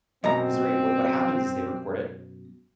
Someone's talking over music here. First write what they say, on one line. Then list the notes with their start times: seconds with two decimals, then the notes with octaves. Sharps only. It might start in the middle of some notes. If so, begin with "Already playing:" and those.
'cause, right, what what happens is they record it,
0.24 F#2 B2 C4 D#5 A#5